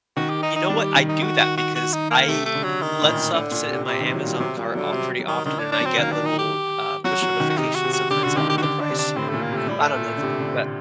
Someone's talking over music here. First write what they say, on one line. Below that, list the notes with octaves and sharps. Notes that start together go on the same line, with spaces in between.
you know what, I do that because I let stuff sit in my Amazon cart of pretty often, and I get little, uh, push notifications sometimes. "Oh, the price," or "cou" I don't know, stuff like that.
D#3 F#4
G4
D#4
D#4
G3 D4
G4
D#3
D#4
F#4
F#4
F#4
F#4
D#4
A#3
C3 A3
A3
D3
F#3
D#3
A2
A#2
A2 D3
A#2
C3
C3
D#3
C3
F#3
A#2 G3
C3 F#3
A#2 G3
D3 F#3
C3 G3
F#3
D#3
D3 D#3
D4
D4
F#3
C4
D#3 A#3
D4
D#4
G4
F#3 F#4
F#3
D#3
F#4
C3 D#4
F#4
C3
F#4
D3 G4
D3 F#4
D#3 G4
G4
F#4
D3 G4
D4
C3
D4
A2 C4
A#2 A3
A#3
C3
A3
A2 G3
A3
A#2
D3
C3
D3
C3